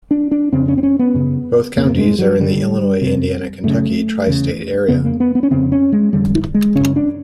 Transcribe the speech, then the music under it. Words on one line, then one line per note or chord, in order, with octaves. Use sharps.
Both Counties are in the Illinois-Indiana-Kentucky Tri-State Area.
D4
D4
F2 C#3 C4
C#4
C4
C#4
B3
F#2 C#3
F2 C3 A#3
G#3
F#3
G2 D3 G3
F2 C3
F#2 C#3 A3
E2 C#3
F2 C#3 B3
A#3
B3
B3
C#4
F2 C#3 C4
C#4
G#3
F2 D3 G3
G#3
F#2 C#3 C#4
D4